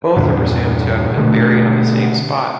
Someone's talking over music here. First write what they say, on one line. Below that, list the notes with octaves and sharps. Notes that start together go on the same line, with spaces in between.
Both are presumed to have been buried on the same spot.
E2 G2 A#2 D3
B2 D3 A3